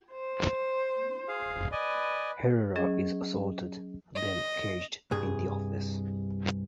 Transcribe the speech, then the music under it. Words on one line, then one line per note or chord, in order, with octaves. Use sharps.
Herrera is assaulted, then caged in the office.
C5
G#4 F5
B4 D5 D#5 G#5
F#3 C#4 G#4 D#5
D#5
C2 G2 G#4